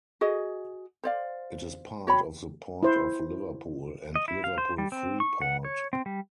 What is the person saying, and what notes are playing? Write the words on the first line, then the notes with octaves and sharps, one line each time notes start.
It is part of the Port of Liverpool and Liverpool Freeport.
F#4 G#4 D#5
C5 D5 F5
F#4 C#5 G5 B5
E4 C5
D#5
E4
F5
C5
G3
C4
C#6
F#5
C#5
C4
G3